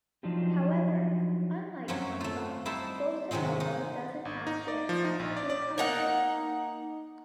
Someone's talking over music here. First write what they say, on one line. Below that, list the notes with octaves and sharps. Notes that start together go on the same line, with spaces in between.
However, unlike samba, bossa nova doesn't have dance steps to accompany it.
F3 F#3 D4 D#4 F4 G4
F#2 F#3 A#3 C4 C#4
A3 F4
G3 D#4 E4 C5 A5
C3 D#3 F#3 G#3 C4
D#4
G#1
D#4
D5
F3
D#4
A#1
D5
D5
A#3 D#4 F#5